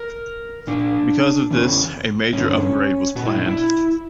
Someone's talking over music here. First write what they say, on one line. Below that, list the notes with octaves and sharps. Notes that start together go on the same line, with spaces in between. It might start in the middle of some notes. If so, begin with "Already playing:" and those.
Because of this, a major upgrade was planned.
Already playing: A#4
A#2 D4
E2 C#3 E3
G2 D3 C#4
A#2 F#4
E4
D4
E4